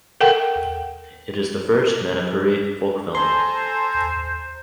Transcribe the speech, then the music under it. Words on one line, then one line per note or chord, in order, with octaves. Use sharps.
It is the first Manipuri folk film.
A4 A#4 F#5 G5
A4 C5 G#5 A#5 C6